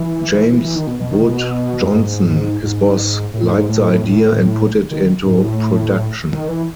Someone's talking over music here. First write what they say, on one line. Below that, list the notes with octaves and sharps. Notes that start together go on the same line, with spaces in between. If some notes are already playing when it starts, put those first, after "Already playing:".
James Wood Johnson, his boss, liked the idea, and put it into production.
Already playing: E3
E3
E3
D#3
B2
B2
D#3
B2
F#2
G#2
G#2
A2
G#2
A2
A2
A2
A2
D#3
G#2
A2
D#3
E3